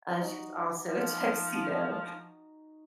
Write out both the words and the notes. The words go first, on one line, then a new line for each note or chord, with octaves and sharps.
uh, she was also a tuxedo.
D#4 F#4
F3